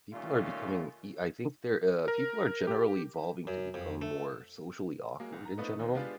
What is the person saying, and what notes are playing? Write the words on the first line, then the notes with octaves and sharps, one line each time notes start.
people are becoming ee I think they're, uh people are generally evolving to become more socially awkward in general.
A#2 D#3 G3 A3 C#4 F4
A#4
G4
F#2
F2
A3
F#3 G#3 A#3
C2
A#5
A3 B3 C4 D#4 F4 B4
D#2 B2 C4
G#3 B3 D4 F4 G4 B4